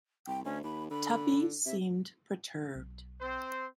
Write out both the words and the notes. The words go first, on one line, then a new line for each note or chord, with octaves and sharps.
Tuppy seemed perturbed.
C2 G5
D2 C#4
D#2 B5
D3 B5
C3 E5
B1
C4 C5